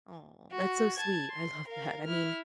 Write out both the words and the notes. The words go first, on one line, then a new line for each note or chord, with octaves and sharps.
Aw, that's so sweet. I love that. I mean,
F#4
A5 G#6
C6
A#4 F5
E4 F6